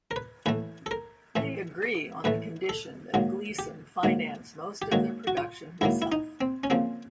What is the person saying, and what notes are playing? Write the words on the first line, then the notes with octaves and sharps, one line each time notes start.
They agreed on the condition that Gleason finance most of the production himself.
A#4
B4
A2 E3 A3 B4
A4
A#4
A2 E3 A3
A2 E3 A3 B4
A4
G#2 D#3 F#3 A#3
G4
G#2 D#3 F#3 A#3
G4
G#2 D#3 F#3 A#3 F#4
F#4
F4
G#2 D#3 F#3 A#3 E4
E4
D#4
C4
C#4
C#3 F3 A#3 C4